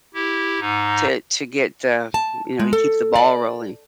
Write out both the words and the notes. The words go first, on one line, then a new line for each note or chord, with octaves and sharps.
to to get the you know, to keep the ball rolling.
E4 G4
G#2 D#4
A5
G#3
A4
D5